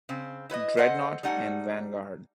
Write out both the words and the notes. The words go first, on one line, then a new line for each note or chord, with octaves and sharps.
"Dreadnought" and "Vanguard".
C#3 C4
E4 B4 C#5 D#5
A4 B4 C5 D#5 F#5
G3 A3 D#4 F#5 G#5